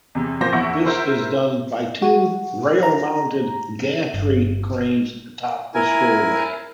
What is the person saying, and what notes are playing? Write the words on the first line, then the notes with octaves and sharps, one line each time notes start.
This is done by two rail-mounted gantry cranes atop the spillway.
E2 C3
A#2 F3 A#3 C5 A#6
E2 E4 F#5 C#6
E4 A#4 C5
F#4
A#5
G1
E4 A#4 G#5